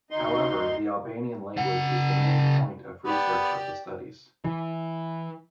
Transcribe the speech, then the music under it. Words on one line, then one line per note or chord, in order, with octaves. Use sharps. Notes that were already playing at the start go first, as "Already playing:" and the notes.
However the Albanian language is the main point of research of the studies.
D2 D#4 C6
C#3 F#5
B3 G4 D5
E3